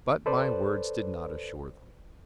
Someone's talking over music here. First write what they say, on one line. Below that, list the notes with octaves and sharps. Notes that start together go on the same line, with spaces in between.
But my words did not assure them.
A4 B4 C5 D5